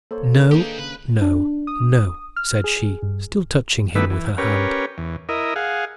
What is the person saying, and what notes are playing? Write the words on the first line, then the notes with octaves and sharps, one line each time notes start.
"No, no, no," said she, still touching him with her hand.
A#3 A4 C5 C#5
D#3 D4 B4
A#3 D#4 G4 G#4
C#3 B4
D4
D#6
F6
G#4
G2
D#3 G3 A3 B3 E4 B4
E3
C#4 G4 A#4 B4 C#5
E2
E4 A#4 D#5
G#4 F5 F#5